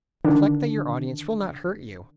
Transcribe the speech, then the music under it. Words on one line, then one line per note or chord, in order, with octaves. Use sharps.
Reflect that your audience will not hurt you.
D3 D#3 D4